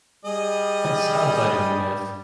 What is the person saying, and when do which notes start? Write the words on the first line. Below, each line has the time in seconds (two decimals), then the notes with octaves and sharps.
It sounds like a myth.
0.25 G3 G#4 D#5